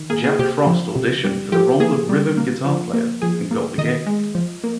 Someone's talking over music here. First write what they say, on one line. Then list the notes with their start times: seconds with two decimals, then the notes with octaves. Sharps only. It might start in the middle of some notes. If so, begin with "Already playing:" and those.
Jack Frost auditioned for the role of rhythm guitar player, and got the gig.
Already playing: D#3
0.10 A#3 G#4
0.24 G#4
0.39 C3 G4
0.67 F3
0.96 C3
1.24 G3
1.52 F3 G4
1.80 A#3 G#4
2.09 G3
2.37 A#3
2.65 F3
2.93 A#3
3.22 F3 G#4
3.51 A#3
3.78 D#3 D#5
4.06 G#3
4.35 F3
4.64 A#3